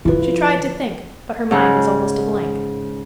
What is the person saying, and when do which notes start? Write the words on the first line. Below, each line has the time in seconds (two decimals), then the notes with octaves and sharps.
She tried to think, but her mind was almost a blank.
0.05 D3 F3 E4 F4 B4
1.51 G#2 C#3 G#3